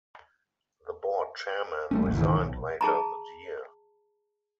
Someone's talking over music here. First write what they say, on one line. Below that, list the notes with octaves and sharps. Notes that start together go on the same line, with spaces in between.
The board chairman resigned later that year.
G3 A3 C#4
D#1 A1
C#2 G#2 D#3 E3
B1
G#4 A5 A#5